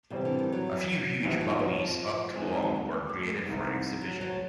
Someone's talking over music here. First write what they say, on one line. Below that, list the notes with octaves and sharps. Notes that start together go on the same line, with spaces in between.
A few huge Bowies up to long were created for exhibition.
A2 C3 E3 G3 C4
D3
D#3
F#3
A#1 G#2 D#3 E3 G3
F3
F#3
F3
G#2 D#3 E3 G#3 C4
F3
F#3
G3
A3
G#3
C2 C3 D#3 G3
F#3
F#3